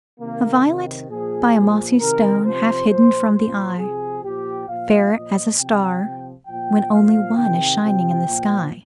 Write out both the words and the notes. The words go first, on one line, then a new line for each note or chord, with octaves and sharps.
A violet by a mossy stone Half hidden from the eye! --Fair as a star, when only one Is shining in the sky.
C3 D#3 A#3
C3 D#3
A#2 F3 G#4
A#2 F3
C3 D#3 A#4
C3 F3 C5
A#2 F3 C5
A#2 F3 C5
C3 F3 G#4
A#2 F3 G4
A#2 F3 F5
A#2 F3 D#5
C3 F3 G5
C3 F3
A#2 F3 G5
A#2 F3 F5
C3 D#3 G5
C3 F3 G5
A#2 F3